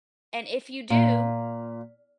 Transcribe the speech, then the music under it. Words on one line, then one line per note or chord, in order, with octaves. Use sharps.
and if you do,
A#2